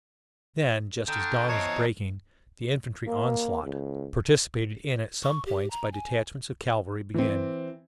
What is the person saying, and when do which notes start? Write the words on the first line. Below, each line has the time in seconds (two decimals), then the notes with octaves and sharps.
Then, just as dawn was breaking, the infantry onslaught, participated in at some points by detachments of cavalry, began.
1.08 D3 G5 A#5 D#6 F6
1.20 C#6 F#6
1.49 E2 C4 C#5 D#5 A5 A#5 C7
3.07 A#3
3.63 C#2
5.23 C#6
5.46 G4
5.71 A#5
5.92 G#5
7.14 E3 C4